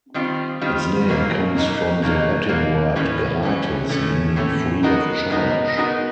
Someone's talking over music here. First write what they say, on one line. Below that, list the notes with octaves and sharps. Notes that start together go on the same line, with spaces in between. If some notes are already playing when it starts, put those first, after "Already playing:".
Its name comes from the Latin word "Gratis", meaning free of charge.
D#3 G3 C4 F4
D#3 G3 C4 F4
B2 F#3 A#3 D#4
B2 F#3 A#3 D#4
B2 F#3 A#3 D#4
B2 F#3 A#3 D#4
A2 E3 A3 C#4
A2 E3 A3 C#4
A2 E3 A3 C#4
A2 E3 A3 C#4
G#3 B3 D#4 F#4 A#4
G#3 B3 D#4 F#4 A#4
G#3 B3 D#4 F#4 A#4